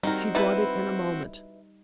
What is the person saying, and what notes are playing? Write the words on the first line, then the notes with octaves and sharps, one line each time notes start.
She brought it in a moment.
D#3 G3 C4 D#4 F#4 A#4
B2 E4 B4 B5